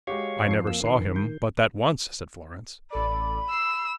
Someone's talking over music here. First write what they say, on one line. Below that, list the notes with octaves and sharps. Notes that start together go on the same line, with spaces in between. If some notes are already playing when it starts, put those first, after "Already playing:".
"I never saw him but that once," said Florence.
G#3 F#4 G4 C#5 F5 C#6
F2 F3 C7
A#3 E6
A#1 D#3 B4 C7
G6
A1 A4 D5 B5
E6 C7